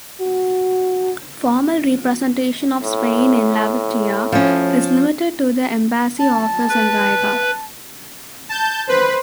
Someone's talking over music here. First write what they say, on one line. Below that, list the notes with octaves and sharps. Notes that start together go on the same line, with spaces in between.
Formal representation of Spain in Latvia is limited to the embassy office in Riga.
F#4
A2
F3 C#4
A5
B4
A5 G6
B4 C5